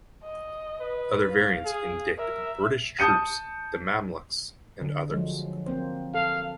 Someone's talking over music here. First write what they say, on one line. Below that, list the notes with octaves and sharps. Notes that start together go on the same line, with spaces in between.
Other variants indict British troops, the Mamluks, and others.
D#5
B4
F5
G#4
A#4 E5
A5 D#6 G6 C#7 D#7
D3
F3 F#3 G#3
A#3 C4 C5
A4 F5